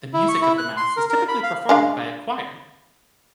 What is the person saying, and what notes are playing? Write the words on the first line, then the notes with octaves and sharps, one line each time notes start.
The music of the Mass is typically performed by a choir.
E4
C#6
E4
F#6
C6
A#4
A#4
B5
F5
G#3 D4 F5